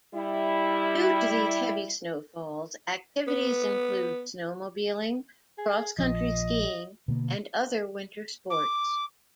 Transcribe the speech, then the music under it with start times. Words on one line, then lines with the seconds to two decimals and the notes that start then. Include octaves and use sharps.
Due to these heavy snowfalls, activities include snowmobiling, Cross-country skiing and other winter sports.
0.15 G3 E4
3.27 B3
5.58 G#4
5.99 A#1 F3 D#5
7.08 B2 D3 A#3
8.50 D6